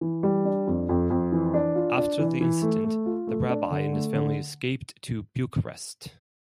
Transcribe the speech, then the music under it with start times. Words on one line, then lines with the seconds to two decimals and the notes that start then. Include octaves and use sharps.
After the incident, the Rabbi and his family escaped to Bucharest.
0.01 E3
0.23 G3
0.45 D4
0.67 F2
0.89 F2
1.10 F2
1.32 E3
1.54 D4
1.75 F4
1.97 D4
2.19 E3
2.41 E3
2.62 A3
2.84 A3
3.06 F4
3.27 A3
3.49 D4
3.71 D3
3.93 A3
4.14 D3